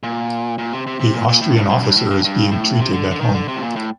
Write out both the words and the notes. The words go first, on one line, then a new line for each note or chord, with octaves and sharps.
The Austrian officer is being treated at home.
A#2
A#2
C3
C3
C3
A#2
A#2
A2
G2
F#2
G2
A2
G2
G2
A2
C3
D3
D3
D#3
D3
C3
A2
A#2
A2